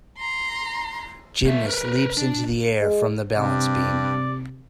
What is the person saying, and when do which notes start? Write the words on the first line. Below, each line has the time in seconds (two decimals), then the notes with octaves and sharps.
Gymnast leaps into the air from the balance beam.
0.17 A#5 C6
1.45 A#3 E5
1.66 A#4 B4
2.17 D4
2.81 G#3
3.37 G2 C3 D5